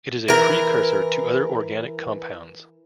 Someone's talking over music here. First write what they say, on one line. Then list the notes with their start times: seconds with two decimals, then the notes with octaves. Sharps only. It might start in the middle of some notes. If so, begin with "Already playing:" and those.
It is a precursor to other organic compounds.
0.28 E3 A#4